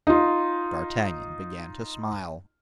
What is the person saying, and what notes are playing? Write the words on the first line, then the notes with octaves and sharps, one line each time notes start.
D'Artagnan began to smile.
D#4 F4